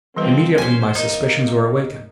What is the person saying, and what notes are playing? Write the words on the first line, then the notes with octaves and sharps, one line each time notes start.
Immediately my suspicions were awakened.
E3 F3 G3 C4 B4
C#4 C5 G#5
A#3 D#4